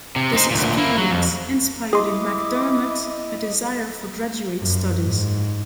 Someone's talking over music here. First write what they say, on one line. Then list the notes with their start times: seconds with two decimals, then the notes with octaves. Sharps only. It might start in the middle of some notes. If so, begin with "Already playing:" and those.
This experience inspired in McDermott a desire for graduate studies.
0.16 C3
0.33 D#4 C5
0.51 D2 A#2
0.78 A#3 E4
0.98 F#3
1.11 F2
1.93 E4 G#4 D#5 C6 D6
4.59 F#2
5.03 G#2